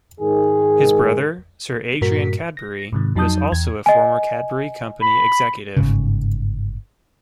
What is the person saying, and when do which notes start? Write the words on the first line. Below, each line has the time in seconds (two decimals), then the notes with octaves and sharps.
His brother, Sir Adrian Cadbury, was also a former Cadbury company executive.
0.21 G#2 D#3 G#4
2.01 G2 A#2 F#4 A#4 B6
2.57 A#6
2.93 G#2 C3 D#3
3.15 F2 F#3 D#4 A5 D#6 G6
3.52 E2 G#6
3.86 D#5 G#5
5.02 B5
5.77 G1 G#2 C#3